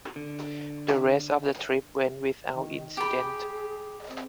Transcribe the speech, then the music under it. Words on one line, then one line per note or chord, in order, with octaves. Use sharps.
The rest of the trip went without incident.
D3
D#3
G4 G#4 B5
C4